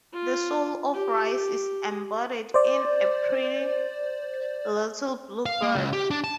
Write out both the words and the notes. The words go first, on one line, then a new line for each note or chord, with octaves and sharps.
The soul of rice is embodied in a pretty little blue bird.
F4
G4
C5 D5
F5
A#3
C#2
G4
D4
A5